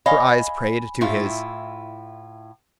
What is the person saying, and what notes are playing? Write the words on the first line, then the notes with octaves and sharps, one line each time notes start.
Her eyes prayed to his.
C#5 D#5 F5 G#5 B5
A2 E4 F4